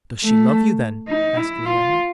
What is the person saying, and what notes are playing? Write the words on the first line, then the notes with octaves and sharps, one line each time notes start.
"Does she love you then?" asked Leander.
A3
D#4
E4
F4